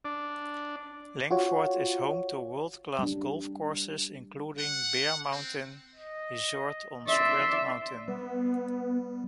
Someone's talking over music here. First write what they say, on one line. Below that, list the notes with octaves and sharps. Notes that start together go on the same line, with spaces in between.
Langford is home to world-class golf courses including Bear Mountain Resort on Skirt Mountain.
D4
F4 F#4 C#5
G3 D4
F#5
C4
D#5
D5 E5 C6
G3 B3